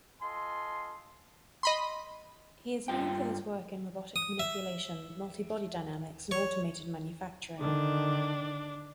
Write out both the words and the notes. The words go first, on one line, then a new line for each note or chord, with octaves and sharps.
He is known for his work in robotic manipulation, multibody dynamics, and automated manufacturing.
F4 A4 D#5 G#5 C6
D#5 B5 C6
G2 F4 G5
D#6
E5
C#5
D3 D#3 D4